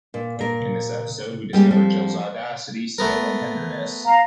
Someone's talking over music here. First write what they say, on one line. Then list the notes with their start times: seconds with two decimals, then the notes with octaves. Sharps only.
In this episode, we discover Jill’s audacity, skill and tenderness.
0.14 A#2
0.39 A#2 A#4
1.53 G3 G#3 A#3 C#4 G4
1.71 F3 G3 C4
2.98 A3 B3 A#4
4.05 F5 A#5